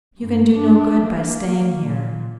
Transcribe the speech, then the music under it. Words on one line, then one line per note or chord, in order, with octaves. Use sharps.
You can do no good by staying here.
G2
D4
A#3
A#2